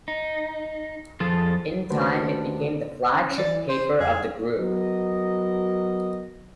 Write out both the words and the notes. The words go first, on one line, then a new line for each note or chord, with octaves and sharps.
In time, it became the flagship paper of the group.
D#4
F2 F3 F4 G#4 A4
D#2 D#3 A3 A#3 D4 F#4 B4 C5
C#4
E3 D5
C5
F2 G#4
F#3 B3 A#4 D#5